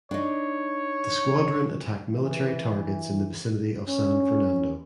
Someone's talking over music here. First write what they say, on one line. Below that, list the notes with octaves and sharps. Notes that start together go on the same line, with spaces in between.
The squadron attacked military targets in the vicinity of San Fernando.
D4 D#4 C#5
E3
C#4